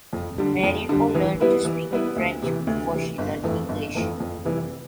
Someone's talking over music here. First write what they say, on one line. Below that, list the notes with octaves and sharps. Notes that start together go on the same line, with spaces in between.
Marinho learned to speak French before she learned English.
F2
D3 G3
F2
D3 G3
E3
G3 B3 E4 B4
E3
G3 B3 E4 B4
D2
C3 E3
D2
C3 E3
G1
F2 E3 A3
G1
F2 E3 A3
F2
C3 E3 G3